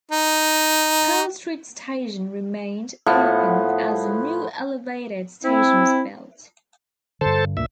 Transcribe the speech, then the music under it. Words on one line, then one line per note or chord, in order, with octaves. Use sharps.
Pearl Street Station remained open as the new elevated station was built.
D#4
A2 F3 B3 F#5
C4 E4
G2 D3 A4 C5 A5
D2 A#2 E5